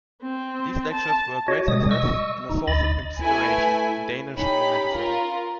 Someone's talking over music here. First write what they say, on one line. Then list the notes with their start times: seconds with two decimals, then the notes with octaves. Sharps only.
These lectures were a great success and a source of inspiration in Danish romanticism.
0.22 C4
0.92 A5
1.48 F#4 C#5 D#5
1.68 B2 G3 G#3 D#6
1.91 D#5 C#6 E6
2.49 D#4
2.67 D2 D#5 B5 A6
3.20 A3 E4 B4 G#5
4.36 C#4 D#4 G4 B5
4.93 F4 A#4